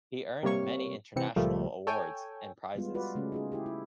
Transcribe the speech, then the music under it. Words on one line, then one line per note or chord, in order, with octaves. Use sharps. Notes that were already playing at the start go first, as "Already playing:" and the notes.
He earned many international awards and prizes.
C3 G3 A#3 C#5 C#6
C3 E3 C4 C#7
C#2 A#2 F3 G3 A3 A#3
A4 C#5 G5 G#5
G3 G#3 B3 F4
F4 F#4 B4 D5
C#3 G#3 A3 C#4
D#4 F4 G#4
E4 G4 G#4
E4